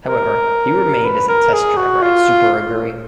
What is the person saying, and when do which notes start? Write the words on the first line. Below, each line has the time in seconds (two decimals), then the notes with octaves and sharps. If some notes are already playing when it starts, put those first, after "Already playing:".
However, he remained as a test driver at Super Aguri.
0.05 A#4
1.04 B4
1.28 A#4
1.53 G#4
1.77 F#4
2.02 F4